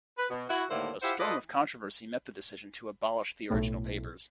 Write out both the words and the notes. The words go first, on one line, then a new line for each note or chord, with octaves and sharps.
A storm of controversy met the decision to abolish the original papers.
B4
B2
E4 F#4
D#2 A2 D3 A#3 E4 C5
E4 F4 G4 C5 E5 F#5
F4 A4 B4 D5 D#5
B1 A2